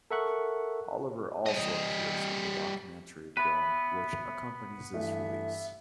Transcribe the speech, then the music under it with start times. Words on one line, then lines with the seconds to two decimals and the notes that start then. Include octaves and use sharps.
Oliver also appears in the documentary film which accompanies this release.
0.11 A4 A#4 E5 F#5 C#6 F#6
1.46 G3 D#5
3.37 B3 B4 E5 B5
4.94 G2 E3 A3 E5